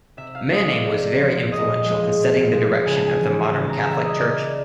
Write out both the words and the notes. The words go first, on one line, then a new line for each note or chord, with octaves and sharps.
Manning was very influential in setting the direction of the modern Catholic Church.
C3 E5
F5
F3 G#3 D#5
D5
C3
F3 G#3
A#2 D#5
F3 G#3
A#2
F3 G#3
C#3 G#5
A5
G#5
E3 G3
C#3 A5
A#5
E3 G3 E5
D#5
C#3 D5